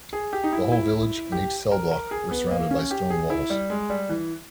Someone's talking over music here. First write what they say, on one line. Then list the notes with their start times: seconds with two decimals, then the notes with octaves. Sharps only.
The whole village and each cell block were surrounded by stone walls.
0.13 G#4
0.33 G4
0.44 D#4
0.53 E4
0.72 E4
1.32 G4
1.72 A#4
1.91 A#4
2.11 G#4
2.31 B3
2.51 A#3
2.71 C#4
2.91 G4
3.10 G#4
3.30 E4
3.50 G3
3.70 G#3
3.90 G3
4.09 E3